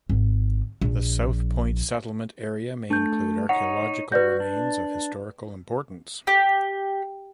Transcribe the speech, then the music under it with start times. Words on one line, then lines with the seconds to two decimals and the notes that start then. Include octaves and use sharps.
The South Point Settlement area may include archaeological remains of historical importance.
0.10 G#1
0.82 A#1
2.90 A3 D4 G6
3.49 D#4 C#5 F#5
4.12 F#4 B4 D5 G6
4.40 D4
6.27 G4